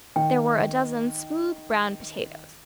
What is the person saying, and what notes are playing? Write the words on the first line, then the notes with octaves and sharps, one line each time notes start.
There were a dozen smooth, brown potatoes.
D#3 G5